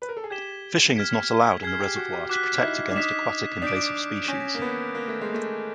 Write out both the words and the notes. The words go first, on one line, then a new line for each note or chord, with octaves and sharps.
Fishing is not allowed in the reservoir to protect against aquatic invasive species.
B4
A#4
A4
G#4
G4 G#6 B6 E7 G7
F6 G#6 B6
G#4 F6 G#6 C7
G4
F#4
G4
F#4 D6 F#6 B6
D#4
E4
D4
D#4 D#6 F#6 B6 E7
D4 D#6 G6 B6 D7
C#4 G6 A#6 D7
A#3
B3
A#3 D#6 F#6 B6
A3
G#3
A3